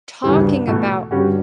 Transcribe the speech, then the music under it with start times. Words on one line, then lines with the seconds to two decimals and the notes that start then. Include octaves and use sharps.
talking about
0.24 D2 G2 C#3 E3 G3
0.68 E2 B2 A3
1.11 G2 D3 G3 C#4 F#4